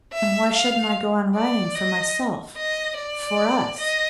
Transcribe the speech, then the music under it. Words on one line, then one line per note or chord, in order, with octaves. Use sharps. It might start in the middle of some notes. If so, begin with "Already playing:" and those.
And why shouldn't I go on writing for myself--for us?
E5
F5
D5
D#5
D#5
D5
D#5